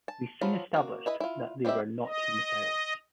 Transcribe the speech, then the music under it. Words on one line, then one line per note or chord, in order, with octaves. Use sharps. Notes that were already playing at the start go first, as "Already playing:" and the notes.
We soon established that they were not missiles.
A5
F3 F#3 F4 B5
A#3 F#4
E4 B4 D#5
E4 F4
G3 C4 G4 D#5 E5
D#5